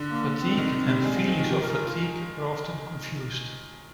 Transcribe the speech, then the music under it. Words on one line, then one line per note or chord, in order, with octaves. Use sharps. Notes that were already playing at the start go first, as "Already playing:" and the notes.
Fatigue and 'feelings of fatigue' are often confused.
Already playing: D3
A#3
C4
D#3
D#3
G3
G#3
F3
D#3
D#3
D#3 G4
A#4
A#4
F4